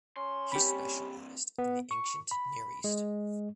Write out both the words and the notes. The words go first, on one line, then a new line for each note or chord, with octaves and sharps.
He specialized in the Ancient Near East.
C#4 C6
G2 C3 G4 B5
B3
C#6
B5
G#3